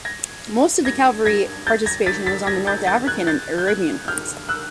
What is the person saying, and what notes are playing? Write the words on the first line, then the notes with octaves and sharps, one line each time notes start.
Most of the cavalry participation was on the North African and Arabian fronts.
G#6 A#6
G#6 A#6
G#6 A#6
G6 A6
G#6 A#6
A6 B6
A6 B6
G#6 A#6
G6 A6
G6 A6
F#6 G#6
G6 A6
G6
F#6 G#6
F6 G6
E6 F#6